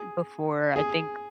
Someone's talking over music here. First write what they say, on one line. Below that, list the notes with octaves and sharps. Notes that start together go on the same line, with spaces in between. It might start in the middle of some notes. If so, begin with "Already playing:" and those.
before, I think
Already playing: G#4
G#4